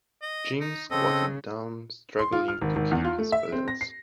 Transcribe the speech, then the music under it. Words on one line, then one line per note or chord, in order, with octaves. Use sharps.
Jim squatted down, struggling to keep his balance.
D#5
D#4
C#3 C4 A4 D#5
C6
F4
F6
G#1
G#1
E2
F4
A3
E5
C4
A#6
C7